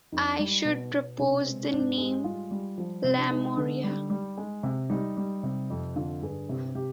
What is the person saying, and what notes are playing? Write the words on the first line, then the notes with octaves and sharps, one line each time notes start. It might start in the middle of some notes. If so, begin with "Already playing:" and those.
I should propose the name Lemuria!
F2 D#4
G3
B2
B2
C3 D4
G#3 C4
G#2 D4
G#3 G4
G3 F4
G3
F3
C3 C4
D4
G#3 D#4
D3
G3
G3
G#3
C3
G3 D#4
G3
C3
F2
D3 F4
G2 G#4
C3 G4
C3 G4